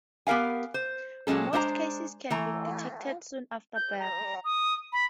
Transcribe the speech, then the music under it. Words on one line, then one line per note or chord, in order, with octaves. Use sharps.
Most cases can be detected soon after birth.
B3 G4 A#4 F5 G#5
C5
A#2 F#3 G#3 C#4 A4
G#3 D4 C5 D5 A#5
E3 A3 A#5
G6
A#5
D#6
B5